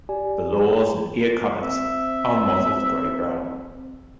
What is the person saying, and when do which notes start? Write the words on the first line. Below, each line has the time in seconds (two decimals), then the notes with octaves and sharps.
The lores and ear-coverts are a mottled grey brown.
0.09 G4 D5 G#5
1.63 C4 E5